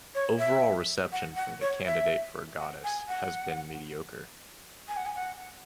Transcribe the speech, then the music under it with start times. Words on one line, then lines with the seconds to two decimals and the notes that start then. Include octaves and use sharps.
Overall reception for "The Candidate for Goddess" has been mediocre.
0.15 C#5
0.39 E5
1.12 F#5
1.36 F#5
1.61 C#5
1.86 E5
2.59 F#5
2.84 G#5
3.08 F#5
4.88 G#5
4.97 F#5
5.06 G#5
5.16 F#5